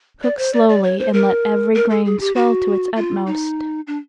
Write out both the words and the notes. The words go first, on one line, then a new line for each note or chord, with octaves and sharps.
Cook slowly and let every grain swell to its utmost.
D5
C5
D5
D5
C#5
C5
A#4
A#4
A4
G#4
G4
F#4
F4
D#4
D4